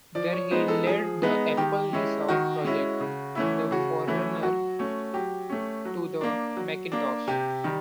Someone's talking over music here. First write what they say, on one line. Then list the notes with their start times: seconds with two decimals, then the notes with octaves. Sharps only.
There he led the Apple Lisa project, the forerunner to the Macintosh.
0.15 F3 D5
0.33 C#5
0.51 G#3 B3 D#4 C5
0.68 A4
0.87 F3 G#4
1.22 G#3 B3 D#4
1.57 D#3 G4
1.93 G#3 C#4 E4
2.28 D#3 F#4
2.64 G#3 C#4 E4
3.00 C#3
3.35 E3 A3 C#4 E4
3.71 C#3 F#4
4.07 E3 A3 C#4 E4
4.43 F#3 F#4
4.79 A3 C#4
5.14 F#3 G4
5.50 A3 C#4
5.85 F#3
6.21 A#3 D4
6.57 F#3
6.92 A#3 D4
7.27 C3 G4
7.64 D#3 G3